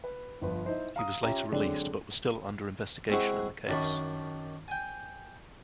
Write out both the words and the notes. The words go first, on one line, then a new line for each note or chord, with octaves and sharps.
He was later released but was still under investigation in the case.
B4
G1 F3 B4
D#4 E4 C5
F5 A#5 D#6
C#4 F4 G4 E5 A#5
D3 F#3 G#3 C4 D4
G#3 C4 E4 F#4 E5
F#2 D#3 D4 A5 B5 C#6
G5 G#5